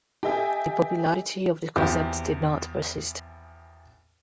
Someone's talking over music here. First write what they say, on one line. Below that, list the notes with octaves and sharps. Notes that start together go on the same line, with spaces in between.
The popularity of the concept did not persist.
G4 A4 D#5 E5 G#5
G#1 E2 G4 C5